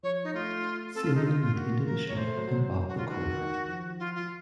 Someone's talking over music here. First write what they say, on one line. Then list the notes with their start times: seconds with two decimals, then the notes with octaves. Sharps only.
Celia went into the shop, and bought the cord.
0.03 F3 C#5
0.24 D#4
0.34 A3 F4
0.95 C4 A4
1.04 F4
1.15 D#4
1.25 F4
1.41 F4
1.55 A#3 F#4
1.86 A#4
2.08 C#5
2.16 A3 C5
2.27 A3
2.37 F#3
2.47 F#3
2.88 F#4
2.98 F4
3.08 D#3 F#4
3.24 D#3
3.39 D#3
3.69 F3
3.99 F4
4.15 F4